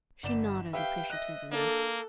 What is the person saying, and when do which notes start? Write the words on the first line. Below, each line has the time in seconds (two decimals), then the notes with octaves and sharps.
She nodded appreciatively.
0.23 G1 D5 E7
0.73 G4 B4 E5 F5 G5
1.10 D#5 E5 F#6 A#6
1.52 A#3 D4 A4